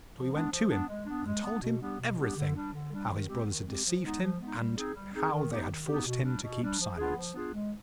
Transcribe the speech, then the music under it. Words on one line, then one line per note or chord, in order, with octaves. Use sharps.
So he went to him and told him everything; how his brothers had deceived him, and how they had forced him to keep silence.
F3
G#3 B3 D4
F3
G#3 B3 D4
G#3
B3 D4
G#3
B3 D4
B2
G3 B3 D4 G4
B2
G3 B3 D4 G4
D3
G3 D4
D3
G3 D4
D#3
G#3 C4 G4
D#3
G#3 C4 G4
F3
G#3 B3 D#4
F3
G#3 B3 D#4
G3
C4 D#4 G#4
G3
C4 D#4 G#4
D#3
B3 D#4 G4
D#3
B3 D#4 G4
B2
G3 D4
B2
G3 D4
F3
B3 D4 F4 G#4
F3
B3 D4 F4 G#4
G#3